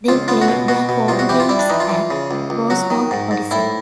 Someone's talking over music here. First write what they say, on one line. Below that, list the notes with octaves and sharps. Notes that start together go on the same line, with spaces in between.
They played their home games at Rosemont Horizon.
C#2 F4
B3 F4
F#4
B2
B2 F#4
B2
C2 F4
F#4
E3 G4
F4
G3 E4
D4
E3 D#4
F4
E3
C#3
C#2
C#2
F#3 F#4
D#3
G#2
G#2
A2 E4